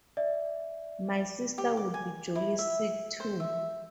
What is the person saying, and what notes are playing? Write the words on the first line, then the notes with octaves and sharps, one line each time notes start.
My sister would be jolly sick, too.
D5 E5
G4
D6
G#5
E4
E5
C5
E5